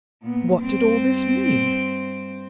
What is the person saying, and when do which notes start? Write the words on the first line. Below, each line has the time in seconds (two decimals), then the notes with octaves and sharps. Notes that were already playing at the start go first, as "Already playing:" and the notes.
What did all this mean?
0.22 A#2 B3
0.61 G2 C4